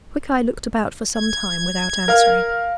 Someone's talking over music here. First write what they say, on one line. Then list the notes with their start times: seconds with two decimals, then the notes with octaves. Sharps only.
Quickeye looked about for some time without answering.
1.15 G#6
2.08 A#4 F5 F6